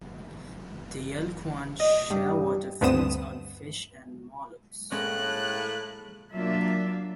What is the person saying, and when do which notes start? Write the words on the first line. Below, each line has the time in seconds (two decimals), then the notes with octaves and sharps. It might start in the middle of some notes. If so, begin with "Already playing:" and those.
The yelkouan shearwater feeds on fish and molluscs.
1.80 D#5
2.10 G2
2.81 D2 G2 B3 C4 D#6 E7
4.92 A2 G#3 A#3 C#4 F#6
6.34 F#3 A#3 D4 F4 E5